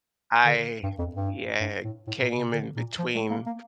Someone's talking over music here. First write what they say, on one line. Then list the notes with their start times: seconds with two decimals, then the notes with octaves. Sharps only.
I, yeah, came in between.
0.45 D3
0.83 G2
0.98 F2
1.15 G2
1.60 G2
1.84 A2
2.07 A2
2.22 A#2
2.37 C3
2.53 D3
2.76 A#2
2.99 F3
3.15 A3
3.30 A#3
3.46 A#3